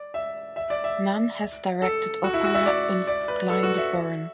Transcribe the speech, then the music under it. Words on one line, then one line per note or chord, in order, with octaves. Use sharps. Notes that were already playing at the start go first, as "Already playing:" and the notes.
Nunn has directed opera at Glyndebourne.
Already playing: D5
E5
E5
D5
E5
A4
F#4
E4
F#4
E5
D5
D5
B4
A4
F#4
E5